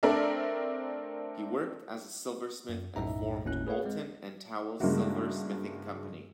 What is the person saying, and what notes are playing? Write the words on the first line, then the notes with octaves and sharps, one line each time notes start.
He worked as a silversmith and formed "Moulton and Towle Silversmithing Company".
A3 C4 D4 A#4 D5 E5
F#2
B1 F#2 A2 D#4 E5 A#5
G1 D#2 A2 C#4 E4 F#6
G#4 B4 C#5 F5 F#5
G#3 C4
G2 C#3 G#3 A#3 E4 F#4